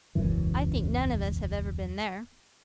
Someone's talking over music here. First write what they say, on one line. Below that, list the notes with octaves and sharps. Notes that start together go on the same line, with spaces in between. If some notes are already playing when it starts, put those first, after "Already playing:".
I think none of us have ever been there.'
E1 C#2 F#2 E3